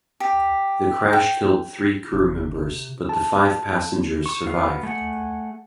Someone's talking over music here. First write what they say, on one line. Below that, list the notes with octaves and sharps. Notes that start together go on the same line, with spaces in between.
The crash killed three crew members, but the five passengers survived.
G4
G5
F#1 C3
A5
C#6
B3 F5
A3 G#4 F#5